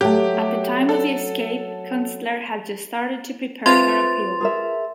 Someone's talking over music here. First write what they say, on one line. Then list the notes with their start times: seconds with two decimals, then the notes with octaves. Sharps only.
At the time of the escape, Kunstler had just started to prepare her appeal.
0.01 F#3 A3 G4
0.89 A4
3.66 C4 F4 B4 C5 E5 C6 A6 F7
4.41 G#4 A#4 E5